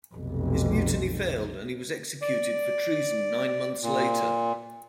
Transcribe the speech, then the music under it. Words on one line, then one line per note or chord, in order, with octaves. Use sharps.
His mutiny failed and he was executed for treason nine months later.
F1 B1
D5
A#2